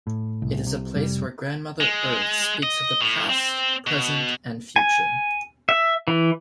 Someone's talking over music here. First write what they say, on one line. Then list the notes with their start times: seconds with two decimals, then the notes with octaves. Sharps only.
It is a place where Grandmother Earth speaks of the past, present and future.
0.07 A2
0.42 C2
0.67 C3
0.95 F1 G3
1.81 G#3
2.63 D#5
3.01 A2
3.29 C4
3.87 B2
4.76 G#5
5.69 E5
6.08 E3